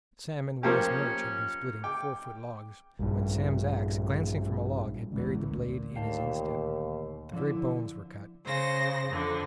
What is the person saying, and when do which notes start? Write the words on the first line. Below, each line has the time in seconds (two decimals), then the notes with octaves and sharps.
Sam and Willis Murch had been splitting four-foot logs, when Sam's axe, glancing from a log, had buried the blade in his instep; the very bones were cut.
0.63 F3 A#3 C#4 G4
1.84 G5 D6
2.99 A#1 G2
5.12 A1 E2 D3 G#3 C#4
5.44 D2 A#2
5.96 D#2 F5 G5 A5
7.33 D3 F3 E4
8.44 C#3 C5 A#6
9.08 F2 D3